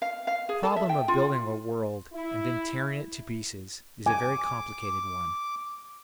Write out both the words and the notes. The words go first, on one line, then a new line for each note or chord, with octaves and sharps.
The problem of building a world and then tearing it to pieces is a very complicated one.
F5
F5
G#4
A4
E5
G5
F4
E4
G#5 D6